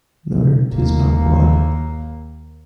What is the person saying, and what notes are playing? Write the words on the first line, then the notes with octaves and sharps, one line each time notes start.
No, 'tis not blood.
D#2 A#3